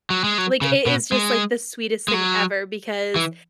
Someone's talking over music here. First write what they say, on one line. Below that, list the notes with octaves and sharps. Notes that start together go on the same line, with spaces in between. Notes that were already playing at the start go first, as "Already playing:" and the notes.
Like, it is just like, the sweetest thing ever because,
F#3
G#3
F#3
C#3
B2
G#3
G#3
F#3
E3